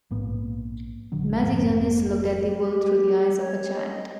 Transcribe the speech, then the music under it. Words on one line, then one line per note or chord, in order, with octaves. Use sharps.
Magic Journeys looked at the world through the eyes of a child.
A#1 G#2 A#3 B3
A#1 D3 F#3
F1 G#2 F3
G4
C#5
D#5